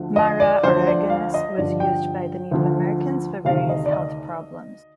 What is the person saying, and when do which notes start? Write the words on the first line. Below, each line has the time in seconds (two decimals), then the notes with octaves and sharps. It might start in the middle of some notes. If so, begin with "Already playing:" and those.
"Marah oreganus" was used by the Native Americans for various health problems.
Already playing: D2 D3 F3
0.16 D#5
0.40 D5
0.63 D2 D3 F3 C5
0.87 D5
1.10 F5
1.34 D#5
1.57 G2 D3 F3 D5
1.80 G5
2.51 D2 D3 F3
3.45 D2 C3 D#3 F5
3.69 D#5
3.86 D5
3.92 D#5